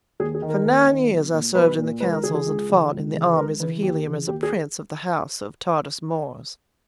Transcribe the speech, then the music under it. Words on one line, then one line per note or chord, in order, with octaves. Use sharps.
For nine years I served in the councils and fought in the armies of Helium as a prince of the house of Tardos Mors.
D#2 G#4
G#4
D#3
A#4
D#2
D#3
B1
A#2
B1 B4
A#2
C#2 B4
A#4
C#3 E3 G#4
G#4
C#2
C#3 E3
C#2
C#3 E3
B4
C#2 A#4
C#3 E3 B4
D#2 G4
C#3 E3
D#2 G4
G#4